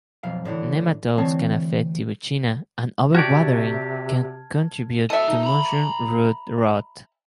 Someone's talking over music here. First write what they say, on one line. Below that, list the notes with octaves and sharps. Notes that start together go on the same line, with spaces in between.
Nematodes can affect "Tibouchina" and over watering can contribute to mushroom root-rot.
B1 F2 F5
A2 D3 E3
D2 E3 C4 C#5 A5
C3 F#4 G4 D5 A5 F6 G#6
A4 D#5 E5 A5
D#4
A#5 B5